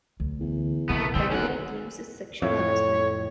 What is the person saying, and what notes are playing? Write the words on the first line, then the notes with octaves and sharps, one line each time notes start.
The primary theme is sexual harassment.
D2
E2
C#3 A3 B3 C4
D#3 G3 C4 E4
B1 C#4 F#5
F2 A2 C#5